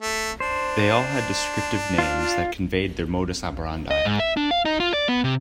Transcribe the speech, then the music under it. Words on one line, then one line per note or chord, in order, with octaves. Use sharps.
They all had descriptive names that conveyed their modus operandi.
A3
D4 C5
F4 F5
D#5
G#2
E5
D4
F5
D#4
F4
D5
B3
C3